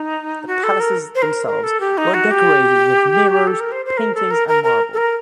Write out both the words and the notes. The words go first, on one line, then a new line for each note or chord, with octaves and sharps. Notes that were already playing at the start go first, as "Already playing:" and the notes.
The palaces themselves were decorated with mirrors, paintings and marble.
Already playing: D#4
F#4
A4
A#4
C5
A#4
A#4
A4
G4
D#4
F#4
G4
A4
A#4
C5
C5
A#4
A4
A#4
A#4
A#4
A4
A#4